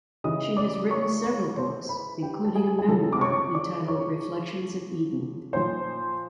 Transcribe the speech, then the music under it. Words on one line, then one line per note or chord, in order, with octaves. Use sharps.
She has written several books, including a memoir entitled "Reflections of Eden".
C#3 E3 D#5 D#6
D5 D6
C#5 C#6
C#5 C#6
C5 C6
B4 B5
G4 G5
A5
G#4 G#5
G#5
C#3 F3 A4 A5
D6
C#5 C#6
D5 D6
C#5 C#6
A#2 F3 C5 C6